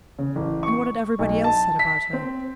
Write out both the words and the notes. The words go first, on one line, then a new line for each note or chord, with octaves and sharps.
And what had everybody else said about her?
C#3
A1
C#6
B1
A5
B6
C4